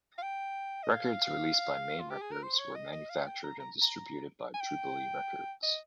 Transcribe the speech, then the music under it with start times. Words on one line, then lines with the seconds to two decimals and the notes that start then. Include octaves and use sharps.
Records released by Maine Records were manufactured and distributed by Jubilee Records.
0.18 F5
0.22 G5
0.83 D#5
0.91 F5
2.00 F4
2.10 G4
2.21 G#4
2.31 A#4
2.43 C5
2.59 C#5
2.75 D#5
2.92 D#5
3.10 F5
3.26 G5
3.43 A#5
3.60 A#5
3.81 A#5
4.54 G#5
4.61 G5
5.63 D#5